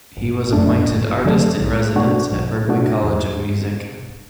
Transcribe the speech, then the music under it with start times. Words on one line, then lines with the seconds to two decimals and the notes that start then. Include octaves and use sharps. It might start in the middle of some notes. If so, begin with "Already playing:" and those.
He was appointed artist in residence at Berklee College of Music.
0.17 G1
0.53 F#2 D3 A3 D4
0.89 G1
1.25 F#2 D3 A3 D4
1.60 B1
1.96 B2 A3 D4 F#4
2.32 B1
2.68 B2 A3 D4 F#4
3.03 E2